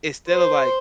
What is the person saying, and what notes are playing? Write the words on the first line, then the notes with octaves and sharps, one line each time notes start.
instead of, like,
C5